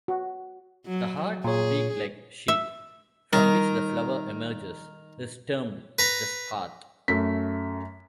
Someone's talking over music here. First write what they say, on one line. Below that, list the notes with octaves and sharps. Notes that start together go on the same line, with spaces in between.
The hard, beak-like sheath from which the flower emerges is termed the "spathe".
F#4
F#3
A#2 G#4 C#5
E5
D#3 G3 A#4
B4 A#5
F#2 A3 B6